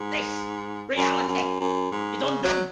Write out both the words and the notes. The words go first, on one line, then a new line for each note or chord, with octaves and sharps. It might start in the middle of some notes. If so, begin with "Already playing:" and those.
This reality is undone.
Already playing: G#2
F#2
F#2
F#2
G#2
C#3
F#3